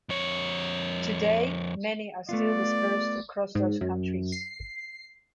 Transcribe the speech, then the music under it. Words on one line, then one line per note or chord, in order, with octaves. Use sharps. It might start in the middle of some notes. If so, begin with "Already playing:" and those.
Today, many are still dispersed across those countries.
F2 C#5
A3 B3 F4 D5
G#2
F#2
C7